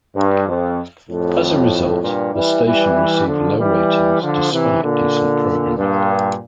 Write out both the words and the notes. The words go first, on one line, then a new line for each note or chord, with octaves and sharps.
As a result, the station received low ratings despite decent programming.
G2
F2
F2 A2
G2 A#2
E3 G3
E3 G3
D3 F3
E3 G3
D3 F3
C3 E3
A#2 D3
G2 A#2